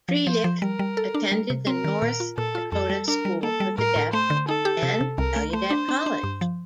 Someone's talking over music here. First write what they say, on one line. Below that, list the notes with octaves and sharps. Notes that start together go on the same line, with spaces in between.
Frelich attended the North Dakota School for the Deaf and Gallaudet College.
F3
F3 C5
F3
G3 A#4
G3
A4
D4
G3
C3
C4 A#4
D#3
A#2
F4
A#2 A4
F4
F2 A4
G3
D4 A#4
G3
A#3 A4
G3
A2 A#4
A2
A3 C5
D3
D#4 A4
G4
C3
C3
C2 A#4
A3
A3 C5
D4
D4
D4
G2
F3